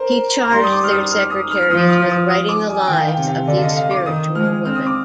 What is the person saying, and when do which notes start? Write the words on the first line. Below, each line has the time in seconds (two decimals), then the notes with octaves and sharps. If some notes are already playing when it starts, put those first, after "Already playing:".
He charged their secretaries with writing the lives of these spiritual women.
Already playing: A#4 C5
0.45 A#5
0.52 G3 C6
0.64 D#6
0.72 D6
0.84 F6
0.92 D#6
1.11 F6
1.31 D#6
1.51 F6
1.63 F6
1.70 F3 D#6
1.90 F6
2.10 D#6
2.30 D#6
2.49 D6
2.69 G#5
2.88 D#3 G5
3.00 F5
3.08 G5
3.18 C3
3.27 F5
3.47 D3 D5
3.57 F5
3.62 D#5
3.77 F5
3.91 D6
4.06 D#3 D#6
4.35 G#3 F6
4.65 C4 F6
4.75 D#6
4.86 D6